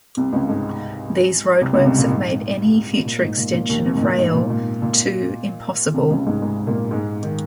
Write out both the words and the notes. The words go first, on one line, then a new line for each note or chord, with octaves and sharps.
These roadworks have made any future extension of rail to impossible.
C2 C3
C#2 C#3
G#2 G#3
C2 C3
C#2 C#3
C2 C3
A#2
G#2
A#2
G#2
A#2
A#2
D#2 D#3
C2 C3
G#2
A#2
G#2
A#2
A#2
A#2
C2 C3
C#2 C#3
G#2 G#3
G#2 G#3
A#2 A#3
G#2 G#3
D#3